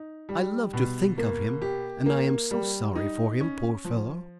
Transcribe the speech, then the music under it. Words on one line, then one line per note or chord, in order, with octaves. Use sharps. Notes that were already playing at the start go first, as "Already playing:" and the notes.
I love to think of him, and I am so sorry for him, poor fellow!
Already playing: D#4
G3
B2
A#3
G4
A#3
G3
D#4
C#4
F3